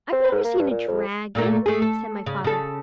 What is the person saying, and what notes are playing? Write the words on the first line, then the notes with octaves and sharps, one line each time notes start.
"I've never seen a dragon," said my father.
C4
G#2
A#3
G2
A#2
F2
A#2 A3 A#3
A3 G#4
A4
C#3
C#3 A4